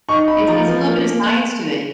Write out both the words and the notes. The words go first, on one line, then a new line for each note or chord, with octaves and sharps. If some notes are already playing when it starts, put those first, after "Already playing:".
It's it's a little bit of science to it.
D#4 C#6
D#4 B5
F3 A#5
F3 B4
A#3
A#3